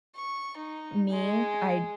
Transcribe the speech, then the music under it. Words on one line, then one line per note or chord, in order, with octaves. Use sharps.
me, I'd
C#6
D#4
G#3